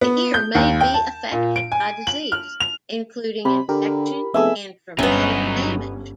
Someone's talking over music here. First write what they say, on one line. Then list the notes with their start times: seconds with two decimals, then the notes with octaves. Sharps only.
The ear may be affected by disease, including infection and traumatic damage.
0.01 B3
0.34 G6
0.55 D#2
0.81 G5
0.94 A5
1.32 A#2
1.56 D7
1.72 G#5
2.07 F#7
2.32 F6
2.60 F7
3.45 C3 B5
3.69 D3 G4 A#4
4.34 F1 B3 G#4 A4 E5 G#5 E6
4.99 G1 C3 F#3 B3 C#4 D#4